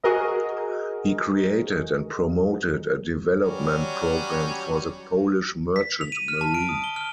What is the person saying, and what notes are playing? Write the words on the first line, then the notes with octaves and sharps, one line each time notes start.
He created and promoted a development program for the Polish merchant marine.
F#4 G#4 A#4 D#5
F#3 G3 C#4
B6
F7
D#7
F6
A5
D7
D#6
G7
F6